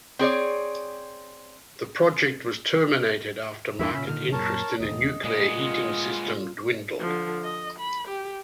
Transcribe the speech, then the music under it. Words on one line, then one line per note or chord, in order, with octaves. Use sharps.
The project was terminated after market interest in a nuclear heating system dwindled.
C4 G#4 C#5 D5
E2 G2 D4 E4 E5
A#2 C#3 C#4 E5 B5
A#2 D3 D#3 F6
F#2 A#2 A#4 C#5 A5
E1 D#2 D#5
A#2 G#3 B3 D#5
F4
D3 F3
D#5
B5
G4